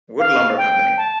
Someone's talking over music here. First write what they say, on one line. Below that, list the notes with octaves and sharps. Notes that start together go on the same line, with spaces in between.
Wood Lumber Company.
F5
G5
A5